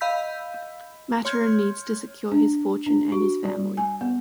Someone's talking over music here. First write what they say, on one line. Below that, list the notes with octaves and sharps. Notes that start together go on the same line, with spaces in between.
Maturin needs to secure his fortune and his family.
D#5 F5 B5 E6 G6 B6
C#5 C6 F6 G6 G#6
D4
D4
F#4
G3
G#5
B3